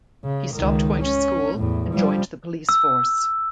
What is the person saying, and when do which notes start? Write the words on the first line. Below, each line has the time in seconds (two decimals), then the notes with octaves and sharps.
He stopped going to school and joined the police force.
0.24 C#3
0.54 C#2 D#3
1.02 C#4
1.58 E2 A2
1.93 F3 G3
2.69 E6